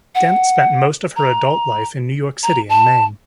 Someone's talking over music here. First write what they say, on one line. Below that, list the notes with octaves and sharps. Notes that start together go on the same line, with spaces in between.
Dent spent most of her adult life in New York City and Maine.
F#5
A#5
A#5
A5